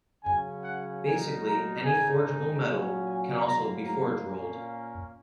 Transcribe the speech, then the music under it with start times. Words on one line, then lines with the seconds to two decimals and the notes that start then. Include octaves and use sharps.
Basically any forgeable metal can also be forge-rolled.
0.24 C#3 F#3 C#4 G#5
0.64 F#5
1.03 A#2 F#3 A#3 D#4 G#5
1.44 A#5
1.84 G#2 G#3 D#4 G#5
2.64 A#2 F#3 C#4
3.05 G#5
3.45 G#2 F#3 A#3 A#5
3.85 A#5
4.25 A#2 A#3 C#4